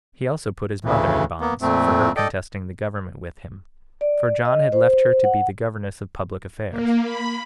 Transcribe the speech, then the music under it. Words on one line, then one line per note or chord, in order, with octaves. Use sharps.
He also put his mother in bonds, for her contesting the government with him; for John had left her to be the governess of public affairs.
D2 A2 C#3 E3
A#3 B3
F2 A#2 A3 C4
A4 D5 D#5 G5
D5
D#5
C5
F#5
A#3
B5